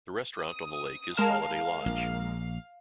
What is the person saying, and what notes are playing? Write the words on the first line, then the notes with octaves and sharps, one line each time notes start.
The restaurant on the lake is Holiday Lodge.
D#6
G#3 A#4 F5 A5 F6 E7
A#1